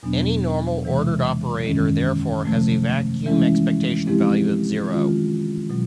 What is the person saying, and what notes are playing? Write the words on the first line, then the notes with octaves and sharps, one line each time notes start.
Any normal ordered operator therefore has a vacuum expectation value of zero.
E2 B2 F#3 B3 D4
C3 E3 G#3
F#2 D#3 G#3 C#4
C3 F3 A3
E3 G#3 C#4 E4
F3 G#3 C4 E4 G4
D#3 G#3 C#4 F4
B2 F#3